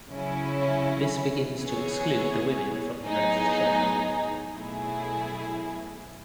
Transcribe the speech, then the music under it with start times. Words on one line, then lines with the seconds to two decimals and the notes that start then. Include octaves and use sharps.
This begins to exclude the women from the director's chair.
0.10 C#3 F#3 C#4 E4
1.57 E3 B3 E4 G#4 C#5
3.05 A2 F#3 B3 D#4 G#4
4.54 B2 F#3 A3 E4 G#4